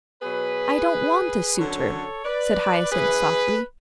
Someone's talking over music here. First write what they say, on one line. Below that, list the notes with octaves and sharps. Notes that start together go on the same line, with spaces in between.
"I don't want a suitor," said Hyacinth softly.
B2 F#3 G#4 B4
F#2 D3 F#3 A4 C#5
B4 D5
F#2 E3 G#4 B4